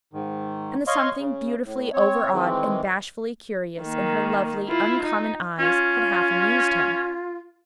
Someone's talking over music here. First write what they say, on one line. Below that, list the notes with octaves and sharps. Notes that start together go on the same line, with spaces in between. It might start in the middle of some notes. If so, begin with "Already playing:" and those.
And the something beautifully over-awed and bashfully curious in her lovely, uncommon eyes, had half amused him.
G#2 D#3
C#5 D#5 F5 C6 C#6
C#3
A2
C4 C#5
D#3 E3 G#3 C4
D#3 A#3
E4 F4
D#4
C#4 F4